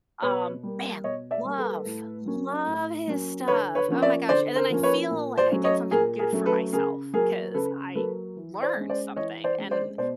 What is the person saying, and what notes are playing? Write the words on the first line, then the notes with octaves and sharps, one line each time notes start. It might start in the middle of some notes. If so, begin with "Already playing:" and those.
um, man, love, love his stuff, oh my gosh, and then I feel like I did something good for myself, 'cause I learned something, and
B2 B4 C#5
G3 A#3
B2 C#5 D#5
D5 E5
G3 A#3
A4 B4
A2
F#3 A#3 C#4
A2
F#3 A#3 C#4
D3 B4 C#5
B4 C#5
F3 A#3 C#4
D5 E5
D3 C5 D5
A#4 C5
F3 A#3 C#4
B4 C#5
A#2
C5 D5
F#3 A3 C#4
C#5 D#5
A#2 G#4 A#4
G#4 A#4
F#3 A3 C#4
A4 B4
C#3 G#4 A#4
F#3 A#3 G#4 A#4
C#3 A4 B4
F#3 A#3 A4 B4
E3
C5 D5
G#3 C#4
C5 D5
E3 C#5 D#5
C5 D5
G#3 C#4
C5 D5
B2 C5 D5